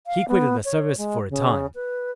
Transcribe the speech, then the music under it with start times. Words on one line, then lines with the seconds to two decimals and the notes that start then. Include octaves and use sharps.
"He quitted the service for a time."
0.07 F5
0.28 B3
0.65 C#5
0.98 G#3
1.30 C#3
1.75 B4